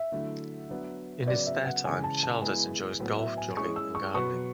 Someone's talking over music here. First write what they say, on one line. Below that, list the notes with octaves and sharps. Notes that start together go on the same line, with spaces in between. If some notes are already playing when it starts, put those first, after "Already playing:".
In his spare time, Shalders enjoys golf, jogging and gardening.
Already playing: E5
D3 F#3 A3 E4
F#3 B3 D4
C#3 F#3 B3 D5
E5
F#5
C#3 E3 G#3 G#5
A5
A5
G#3 B3 E4 G#5
A2 F#3 B3
E5
G#5
G#3 C#4 E4 G#4 C#6
E6
C#6
B2 F#3 B3 C#6